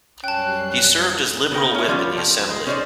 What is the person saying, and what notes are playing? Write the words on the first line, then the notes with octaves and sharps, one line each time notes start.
He served as Liberal whip in the assembly.
F#2 G3 C#4 G5 A5 F#6 C7
C#3 B3 C#4 A#4 G5
C#4 E4
F3 G3 B3 C#4 D#4 F4
F3 G5
G#3
C#4 D#4 G#4 B4 C5 D5